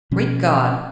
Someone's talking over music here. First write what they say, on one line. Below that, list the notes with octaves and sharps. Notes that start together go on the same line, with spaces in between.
Great God!
B2 F3 C#4